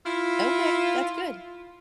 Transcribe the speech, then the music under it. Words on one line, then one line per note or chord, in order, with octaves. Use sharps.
Okay, that's good.
E4 F4